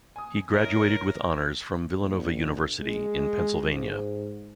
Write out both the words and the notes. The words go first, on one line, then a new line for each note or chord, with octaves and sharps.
He graduated with honors from Villanova University in Pennsylvania.
G#5 D#6
E4 A#4 C#5 D#5
A#1
G#3
G#2